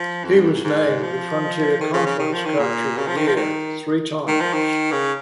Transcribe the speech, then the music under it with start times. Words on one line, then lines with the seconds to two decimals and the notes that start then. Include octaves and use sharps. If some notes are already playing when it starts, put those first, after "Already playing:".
He was named the Frontier Conference Coach of the Year three times.
Already playing: F3
0.25 F2
0.35 G#2
0.45 F2
0.54 G#2
0.64 G#2
1.03 F3
1.81 D#3
1.93 C#3
2.06 C#3
2.19 D#3
2.33 F3
2.45 D#3
2.59 A#2
2.97 C#3
3.07 F3
3.16 D#3
3.27 F3
3.36 D#3
4.28 D#3
4.40 F3
4.53 D#3
4.92 C#3